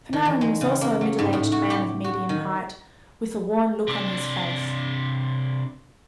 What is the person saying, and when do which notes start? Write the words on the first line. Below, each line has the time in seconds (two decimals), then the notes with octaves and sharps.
Fanarin was also a middle-aged man of medium height, with a worn look on his face.
0.13 D#3
0.25 E2
0.41 G#3
0.61 C#3
0.81 A#3
1.01 F#3
1.19 G#2
1.33 A2
1.52 F#4
1.70 G4
2.04 F#4
2.29 D#3
3.87 C3 D4